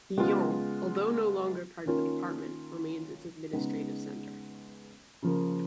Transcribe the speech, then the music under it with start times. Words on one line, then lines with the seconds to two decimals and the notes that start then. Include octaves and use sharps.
Lyon, although no longer part of the department, remains its administrative center.
0.17 C#3 G#3 B3 F4
1.86 D#3 A#3 C#4 F4
3.53 C#3 G#3 B3 D#4
5.22 C#3 F3 A#3